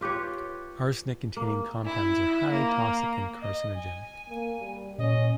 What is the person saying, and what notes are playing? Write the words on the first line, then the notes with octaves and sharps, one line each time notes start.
Arsenic-containing compounds are highly toxic and carcinogenic.
F4 G4 B4 C#5
A#3
E4
A#3
D#5
G#5
A#3
G3
A#2 C#4 D#5